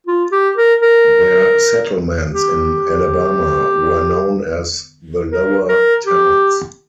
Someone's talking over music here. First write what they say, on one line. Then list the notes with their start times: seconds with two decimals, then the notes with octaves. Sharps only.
Their settlements in Alabama were known as the Lower Towns.
0.07 F4
0.32 G4
0.57 A#4
0.82 A#4
2.32 G4
5.32 A#4
5.69 A#4
6.06 G4